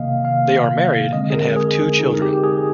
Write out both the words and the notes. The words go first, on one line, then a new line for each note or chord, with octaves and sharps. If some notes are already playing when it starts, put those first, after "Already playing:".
They are married and have two children.
Already playing: C3 D#3 A#3 D#5 F5
F5
D3 G#3 C4 D#5
G#4
A#4
G#4
D#4
G4
G#4